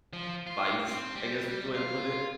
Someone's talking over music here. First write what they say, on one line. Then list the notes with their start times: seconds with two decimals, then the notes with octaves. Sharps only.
vice, I guess is the way to put it,
0.13 F3
0.47 F4
0.88 C4
1.16 G3
1.75 F4